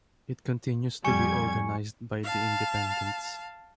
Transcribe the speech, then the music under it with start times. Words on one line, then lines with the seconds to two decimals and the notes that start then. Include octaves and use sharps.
It continues to be organized by The Independents.
1.04 F2 G3 G#5 C#6 G#6 C#7
2.24 F5 A5